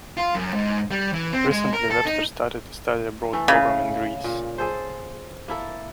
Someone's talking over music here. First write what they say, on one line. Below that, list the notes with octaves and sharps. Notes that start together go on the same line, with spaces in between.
Recently, Webster started a study abroad program in Greece.
F4
F#2
G#2
G3
E3
C4
G#3
A#4
A4
D#4
E3 A3 A4
C#3 B4 E5 F5
A#2
G#4 A4 C5
A#3 E4 A4